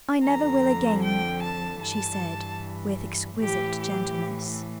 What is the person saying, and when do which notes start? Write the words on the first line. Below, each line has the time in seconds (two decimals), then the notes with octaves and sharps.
"I never will again," she said with exquisite gentleness.
0.23 F2 D3 F3 A#5
1.02 G5
1.42 A5
1.82 G2 E3 A5
3.40 A2 E3 G4
3.81 G4